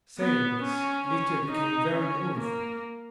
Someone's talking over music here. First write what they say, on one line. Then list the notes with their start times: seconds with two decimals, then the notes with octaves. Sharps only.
Saying this Mitya became very mournful.
0.19 B3
0.63 C#4
1.08 C#4
1.52 D#4
1.96 C#4
2.39 A#3